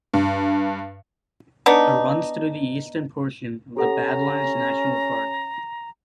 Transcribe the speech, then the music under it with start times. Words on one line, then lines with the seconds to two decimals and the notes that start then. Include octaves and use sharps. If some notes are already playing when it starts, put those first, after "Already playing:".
It runs through the eastern portion of the Badlands National Park.
0.14 G2
1.66 B3 D4 D#4
3.77 C#4 G4 A4 F#5 A#5